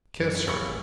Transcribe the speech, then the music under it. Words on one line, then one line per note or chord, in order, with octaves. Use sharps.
Kiss her!
F#2
C3 C#5
F#3 G4 G#4 C#5 F5 B5 C#6
A1 A2